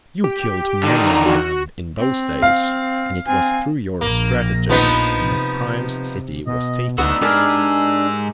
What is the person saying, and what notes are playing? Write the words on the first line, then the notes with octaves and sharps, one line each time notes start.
You killed many a man in those days, and it was through your stratagem that Priam's city was taken.
G4
D3 D#3
A#5
F#4
C4
F5
C4 G#5
A#1 A#3
F3 B3 D#4
C3
B2 D#5
D2 B3 D4 D#4 F#4 E6
G#2 D4 G4 G#4 A#4 A5